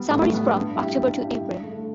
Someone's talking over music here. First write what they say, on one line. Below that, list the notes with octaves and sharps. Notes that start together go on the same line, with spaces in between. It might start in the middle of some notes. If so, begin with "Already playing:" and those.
Summer is from October to April.
Already playing: G3 B3
A2
G3 B3
G2
G3 E4 G4
G2
G3 E4 G4
G2
D3 A3